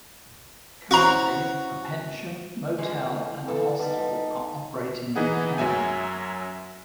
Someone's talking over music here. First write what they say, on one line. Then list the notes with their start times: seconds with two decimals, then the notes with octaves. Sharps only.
Currently, a pension, motel and a hostel are operating in the town.
0.91 C#4 E4 F#4 C5 A#5 C#6
2.78 A#2 D3 G#3 E4
3.48 E3 A4 F5 A5
3.79 G3 B3 D#4 A4 G5
5.16 E3 B3 D#4 E4 G#4 F#5
5.58 F#2 F#3 E5 G#5